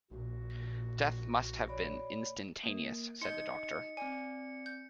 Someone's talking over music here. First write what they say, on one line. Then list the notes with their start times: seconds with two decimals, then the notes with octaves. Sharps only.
"Death must have been instantaneous," said the doctor.
0.11 A#1 A#2 F#4
1.69 C#5 D5 B5
2.64 A#3
3.21 D#4 D#5 C6 G6 C#7
3.97 C4 D5 G#5
4.66 G6